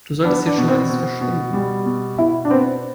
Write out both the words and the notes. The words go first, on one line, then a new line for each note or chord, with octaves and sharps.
Du solltest hier schleunigst verschwinden.
B3 D4
D4
B2
C4
B2
B2
G3
B2
B2 E4
D4
B3 C4